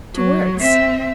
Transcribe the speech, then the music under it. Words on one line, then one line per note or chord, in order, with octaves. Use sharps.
"Two words?"
F#3
C4 E5